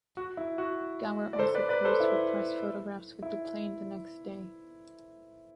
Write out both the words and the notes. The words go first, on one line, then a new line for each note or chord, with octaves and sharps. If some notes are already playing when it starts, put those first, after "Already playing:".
Gower also posed for press photographs with the plane the next day.
F#4
E4
F#4
D5
A4 C5
B4 D5
B4 D5
A4 C5
E4
E4